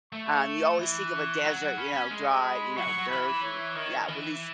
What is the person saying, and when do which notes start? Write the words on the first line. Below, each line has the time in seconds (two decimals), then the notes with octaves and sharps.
Um, you always think of a desert, you know, dry you know dirt, and yeah, well these
0.12 A3 C#6
0.79 E3 B5
1.12 C#6
1.45 F#3
1.77 C#4 B5
1.94 C#4
2.11 G#3
2.44 B5
2.76 F#3 C#6
2.87 F#3
2.98 F#3
3.09 E3 B5
3.43 C#5
3.75 D#3
4.08 E3